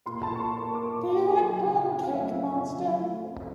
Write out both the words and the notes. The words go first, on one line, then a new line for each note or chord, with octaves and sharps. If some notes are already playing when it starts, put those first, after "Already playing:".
Do you like plum-cake, monster?
A#2 C6
A5
A#2
C#6
C6
A#3 C#6
A#3 D6
A#2
D#4
F#3 G#5
C#3 G5
F5
F2 F#5
F5
A3 E5
F5
F2
C#3
F#3
A3
C4